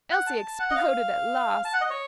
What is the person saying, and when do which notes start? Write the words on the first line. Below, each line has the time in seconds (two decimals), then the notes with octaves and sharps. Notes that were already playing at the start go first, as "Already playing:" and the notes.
Elsie exploded at last.
0.11 F#5
0.27 A5
0.59 F#5
0.71 D#5
0.75 F5
1.65 A5
1.73 F#5
1.81 D#5
1.90 C#5